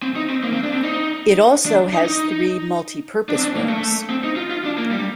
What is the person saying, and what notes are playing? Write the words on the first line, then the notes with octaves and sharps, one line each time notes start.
It also has three multipurpose rooms.
C4
D#4
C4
A#3
C4
D4
C4
D#4
D4
D#4
D#4
D4
C4
D4
A#3
A3
C4
D#4
F4
F4
D4
A#3
G3